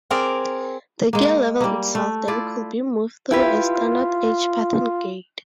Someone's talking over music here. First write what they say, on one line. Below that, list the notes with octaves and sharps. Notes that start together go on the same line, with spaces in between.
The gear lever itself then could be moved through a standard 'H pattern' gate.
C4 G#4 A#4 D5 A#5
G#3 A#3
G3 A#3
A3
E4 F4 D5
E4 F4 G4 B4